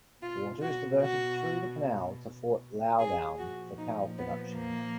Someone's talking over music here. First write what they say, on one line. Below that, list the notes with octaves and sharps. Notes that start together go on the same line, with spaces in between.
Water is diverted through the canal to Fort Loudoun for power production.
B2 F4
F#4
F#4
G#4
A#2 F3 F#4
D#4
B3
A#3